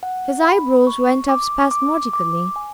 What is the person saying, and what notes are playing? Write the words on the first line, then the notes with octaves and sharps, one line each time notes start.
His eyebrows went up spasmodically.
F#5
B5
C#6
D6
D6
D6
G#5